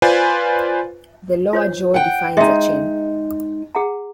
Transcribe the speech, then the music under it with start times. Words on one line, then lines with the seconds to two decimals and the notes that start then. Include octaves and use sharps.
The lower jaw defines a chin.
0.02 F4 B4 C5 D5 G#5
1.53 F4 C5 C#5
1.94 F#5 G5
2.37 G#3 D#4 G#4 D#5 E5
3.75 G#4 F#5 A#5